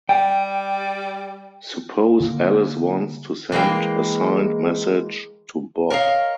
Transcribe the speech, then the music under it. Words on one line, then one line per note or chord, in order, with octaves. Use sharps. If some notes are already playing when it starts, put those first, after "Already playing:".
Suppose Alice wants to send a signed message to Bob.
G3 G5
D3 A#3
E3 G#3 A#3 G5
A#4 C#5 D#5 F5